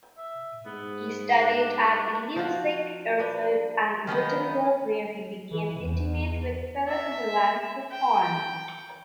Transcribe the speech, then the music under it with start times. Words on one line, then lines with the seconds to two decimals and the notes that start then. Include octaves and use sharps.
He studied at Leipzig, Erfurt and Wittenberg, where he became intimate with Philipp Melanchthon.
0.18 E5
0.66 G#2 B3
1.40 D4
2.36 F3 F4 F#4
3.19 D4 B4
4.07 D#3 F3 B3 D#4
5.51 E3
5.80 E2
6.89 E5
7.92 G5